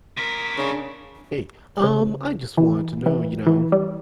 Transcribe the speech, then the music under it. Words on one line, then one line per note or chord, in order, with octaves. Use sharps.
Hey, um, I just wanted to know you know,
C3 A#4 B6
C#3 C#4 D4
C#3
E3
E3
E3
G3